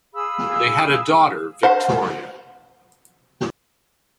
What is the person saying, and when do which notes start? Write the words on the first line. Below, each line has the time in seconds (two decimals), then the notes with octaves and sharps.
They had a daughter Victoria.
0.13 G#4 F5 B5 E6
1.63 C5 F#5